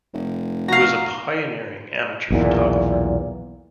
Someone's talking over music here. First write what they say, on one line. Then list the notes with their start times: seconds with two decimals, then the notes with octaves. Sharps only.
He was a pioneering amateur photographer.
0.13 F1
0.68 F#4 F5 A#5
2.31 B1 E2 A#2